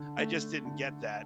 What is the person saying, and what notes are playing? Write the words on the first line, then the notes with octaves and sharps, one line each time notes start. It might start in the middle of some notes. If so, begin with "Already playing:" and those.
I just didn't get that,
Already playing: D3
A3
D3